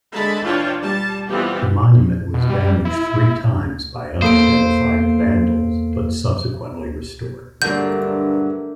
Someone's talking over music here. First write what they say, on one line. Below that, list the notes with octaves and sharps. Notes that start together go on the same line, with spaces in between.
The monument was damaged three times by unidentified vandals, but subsequently restored.
D3 G#3 E5 A5 B5
E3 D4 F4 C#5 G5 A5
G3 A5
E3 G3 B3 C4 F4 G4
B2
G3
E4
E2 A#3 A4 C5 D7
G2 D3 F#3 A3 A#3 D4 G6